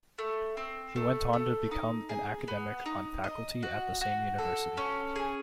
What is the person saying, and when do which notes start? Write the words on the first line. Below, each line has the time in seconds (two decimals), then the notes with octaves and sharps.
He went on to become an academic on faculty at the same university.
0.18 A3
0.57 C4
0.96 A3
1.33 A3
1.71 D#4
2.09 G#4
2.48 B3
2.86 D#4
3.24 D#5
3.63 F#4
4.01 F#4
4.38 A4
4.77 C#4
5.16 G#4